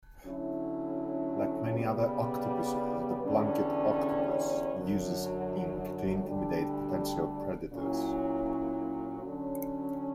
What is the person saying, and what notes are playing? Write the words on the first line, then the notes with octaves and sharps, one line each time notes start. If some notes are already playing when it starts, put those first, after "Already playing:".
Like many other octopuses, the blanket octopus uses ink to intimidate potential predators.
D3 F#3 C#4 E4
C#3 G3 B3
E2 D3 G3 C#4
F#2 D3 F#3
D2 D3 G3
A#2 F#3 C#4 E4
D3 F#3 C#4